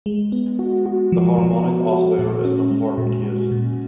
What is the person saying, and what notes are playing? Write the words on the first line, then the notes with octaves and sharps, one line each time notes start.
The harmonic oscillator is an important case.
G#3
B3
F#4
F#4
F3
F3
F#4
F#4
A#2
C#4
G#3
A#2
F#4
A#2